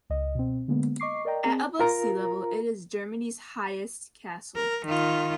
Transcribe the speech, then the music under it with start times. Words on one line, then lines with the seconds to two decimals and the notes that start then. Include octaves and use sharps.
At above sea level, it is Germany's highest castle.
0.10 C#2 D#5
0.35 B2 C4
0.68 D3 G#3 A#3 B3
1.00 D#5 C#6 D6 C7
1.25 A#4 D5 D#5 G5 A#5
1.44 C4 G#4
1.79 F4 A#4 A#5
4.56 A#4
4.85 D#3 F4